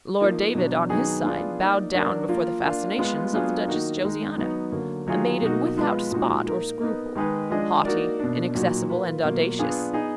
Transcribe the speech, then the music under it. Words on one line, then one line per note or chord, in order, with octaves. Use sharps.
Lord David, on his side, bowed down before the fascinations of the Duchess Josiana--a maiden without spot or scruple, haughty, inaccessible, and audacious.
F3 A#3 D#4
B2 F#3 D4
D#3 F#3 B3 D#4 G#4
B3 D4 F4 G#4 D5
A#3 D#4 A#4 D5
F#3 D4 F#4 A#4 D5
F3 A#3 F4 A#4
A#3 D4 F4
G#3 B3 F4
F#3 B3 D4 F4 G#4
D#3 A#3 D#4 F#4
D#3 G#3 D#4
F#3 B3 D#4
D3 F#3 A#3
D#3 F#3 A#3 F4 G#4
B2 A#3 D#4 F#4
F3 G#3 B3 F4 B4
A#2 F3 G#3 D#4 F#4
A#3 D#4 A#4
B3 D#4 A#4 D#5
D#3 G#3 D#4 G#4 B4
F3 G#3 D4 G#4 D#5
A#3 D#4 F#4 A#4 D5
B2 A#3 D4
A#2 F#3 A#3 D#4 F#4
A#3 F4 B4
B2 F#3 A#3 F4
B3 D4 F4 G#4 D5
B3 D#4 G#4 D#5